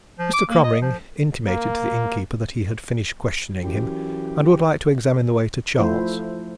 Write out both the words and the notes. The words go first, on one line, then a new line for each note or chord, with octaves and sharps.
Mr. Cromering intimated to the innkeeper that he had finished questioning him, and would like to examine the waiter, Charles.
F3
D6
A#3
D#5
F3
A#3
F#2 E3 G4
F3 A3 E4 F4 C5